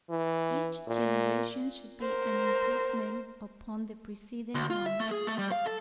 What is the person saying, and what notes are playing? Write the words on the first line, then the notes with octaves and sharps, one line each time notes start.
Each generation should be an improvement upon the preceding one.
E3
A#2
A#4 C5
D2
F4
E5
A3
G#4
A3
G3
F5
A4